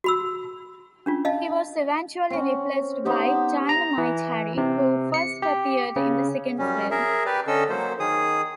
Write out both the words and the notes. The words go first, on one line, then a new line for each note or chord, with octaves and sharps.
He was eventually replaced by "Dynamit-Harry" who first appeared in the second film.
F#4 B5 E6
C#4 D4 F4
D#5 F5 A5
C4 C#4
B3 D#4 G4 C5
A#5
E3
C3
C#7
G4
C#3
F#2 G3 C#4
G#4 A#4 E5
G4 B4 D5
D3 C#4 A4 D#5 E6
F#3 A#3 C5
D#3 G#4 D#6